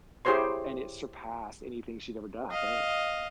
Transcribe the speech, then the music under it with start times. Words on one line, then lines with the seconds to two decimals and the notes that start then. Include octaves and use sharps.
and it surpassed anything she'd ever done, I think.
0.25 E4 G4 G#4 C5 C#5 C6
2.51 D#5 F5